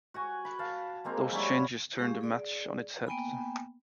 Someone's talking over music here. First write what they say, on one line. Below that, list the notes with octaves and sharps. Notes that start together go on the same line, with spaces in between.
Those changes turned the match on its head.
F#4 F#5 G#5
B5
F5 A5
G#3 A#3 C4 A#5
F#3 G3 C#4 E4
G#3 G4 G#4 F5 C#6
G#4 D5
A#3 B3 G5 G#5 B5